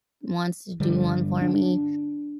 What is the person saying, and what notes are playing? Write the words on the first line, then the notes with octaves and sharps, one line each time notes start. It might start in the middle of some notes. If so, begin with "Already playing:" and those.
wants to do one for me,
G2 D3 G3
D4